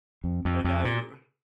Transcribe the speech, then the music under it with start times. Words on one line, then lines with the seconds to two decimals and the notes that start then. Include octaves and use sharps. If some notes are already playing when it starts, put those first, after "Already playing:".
and now you're
0.24 F2
0.45 F2
0.64 F2
0.85 A#2